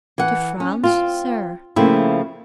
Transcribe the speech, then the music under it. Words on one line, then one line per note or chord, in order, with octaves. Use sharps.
"To France, sir?"
E3 F#5
C#4
C4 F4
C#3 F3 A3 A#3 C4 E4